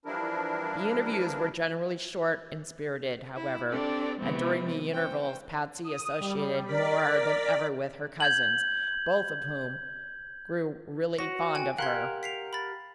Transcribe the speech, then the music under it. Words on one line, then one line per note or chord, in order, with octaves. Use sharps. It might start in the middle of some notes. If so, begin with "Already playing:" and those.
The interviews were generally short and spirited, however, and during the intervals Patsy associated more than ever with her cousins, both of whom grew really fond of her.
E3 F3 G3 D4 E4 A#4
E4
C4 D4 G4 A4 D5
C3 E3 F3 G#3 B3 C4
C#4 C5 G5
D#6
G3
A#4 D5 B6
G6 G#6 F#7
F#4 C#5 A#6
G5 G#5
G4 A#4 F5 F#5 C6 G#6
B6 C7 F7
B5 A6